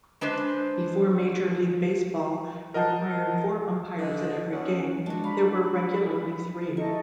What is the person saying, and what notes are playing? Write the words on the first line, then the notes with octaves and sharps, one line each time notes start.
Before Major League Baseball required four umpires at every game, there were regularly three.
G#3 D4 B4 C5
A#4 D#5 F#5 A5
D3 D#3 D#5
E2 C#4 F#4 F#5
G#3 D4 F#4
F5 A#5 B5
B5
E4 A4 A#4 D#5 C#6